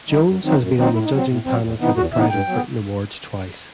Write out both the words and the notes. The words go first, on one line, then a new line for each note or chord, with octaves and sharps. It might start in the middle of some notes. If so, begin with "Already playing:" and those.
Jones has been on the judging panel for the Pride of Britain awards twice.
D#3 G3 D#4
F#2
D#3 F#3 C4 D#4
F#2
D#3 F#3 C4 D#4
A2 E4
D#4
F#3 C4
A2
F#3 C4
E2
C3 E3 B3 D#4
E2 F#4
C3 E3 B3 D#4 E5
G2 G5
F#3 B3